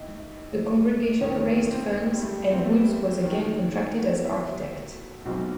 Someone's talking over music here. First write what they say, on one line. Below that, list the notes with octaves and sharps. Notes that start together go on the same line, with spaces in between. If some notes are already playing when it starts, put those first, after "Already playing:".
The congregation raised funds and Woods was again contracted as architect.
Already playing: D#2 D#4 E4
E1 D#2 D#3
C4
G3
A3
C4
B3
A3
G3
D#2 D#3 F#3
A3
B3
E4
B1 B2 F#3 C4